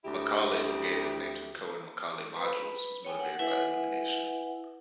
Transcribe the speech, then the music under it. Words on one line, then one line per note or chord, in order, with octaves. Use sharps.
Macaulay, who gave his name to Cohen-Macaulay modules, was motivated by elimination.
D2 E4 G4
B4 B5
C#5 G5 G#5
F#5
E4 B4 E5 F#5 G#5